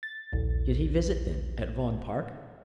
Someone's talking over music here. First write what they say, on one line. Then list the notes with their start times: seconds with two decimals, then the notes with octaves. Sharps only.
"Did he visit then at Vaughan Park?"
0.03 A6
0.33 A#1 D#2